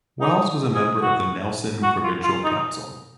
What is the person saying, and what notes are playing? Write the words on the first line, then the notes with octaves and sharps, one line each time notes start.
Wells was a member of the Nelson Provincial Council.
D#4
G#4
F#4
F#4
F4
F4
D#4